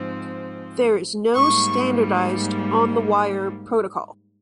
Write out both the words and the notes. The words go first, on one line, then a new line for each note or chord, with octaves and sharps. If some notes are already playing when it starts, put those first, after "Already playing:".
There is no standardized on-the-wire protocol.
Already playing: G#2 F3 C4
G#2 G3 A#3 C#6